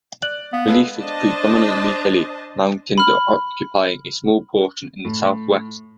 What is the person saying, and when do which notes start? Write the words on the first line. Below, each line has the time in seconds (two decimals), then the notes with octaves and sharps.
The relief is predominantly hilly, mountains occupying a small portion in the south-west.
0.23 D5 F#6 F#7
0.53 B3 F5
0.68 G#3 A4 B4
0.97 D4 C5 D#5 A5
2.98 B5 F6
5.05 A2